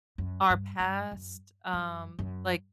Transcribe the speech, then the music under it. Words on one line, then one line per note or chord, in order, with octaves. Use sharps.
our past, um like,
F#2
G2
G2
F#2
F#2
F#2